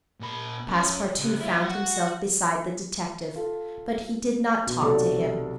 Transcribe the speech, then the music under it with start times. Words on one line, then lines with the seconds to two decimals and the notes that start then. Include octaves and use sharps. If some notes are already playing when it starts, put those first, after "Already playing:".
Passepartout found himself beside the detective; but he did not talk to him.
0.20 A#2 B5
0.68 F#2
1.19 C#3 G4
1.40 E4 F4
1.64 F#4 F#5
3.36 F4 A4
4.67 B2
4.82 B1 C3 A3 F#4 A4 D5